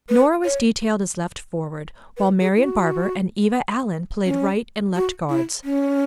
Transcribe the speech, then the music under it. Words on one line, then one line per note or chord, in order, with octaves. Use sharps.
Nora was detailed as left forward, while Marian Barber and Eva Allen played right and left guards.
B4
C#5
B4
G#4
E4
F#4
C#4
F#4
E4
C#4